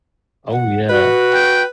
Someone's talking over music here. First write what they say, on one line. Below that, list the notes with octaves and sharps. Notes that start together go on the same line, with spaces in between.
Oh, yeah.
F#5
F#4 B4
G5